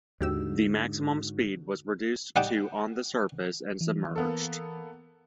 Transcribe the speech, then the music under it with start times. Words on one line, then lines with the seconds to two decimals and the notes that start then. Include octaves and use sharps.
The maximum speed was reduced to on the surface and submerged.
0.21 D#2 G#2 D3 F#4 G4 E6
2.36 G3 D#4 F#5 G5 A5 D6
3.81 E3
4.16 A#3 B3 A4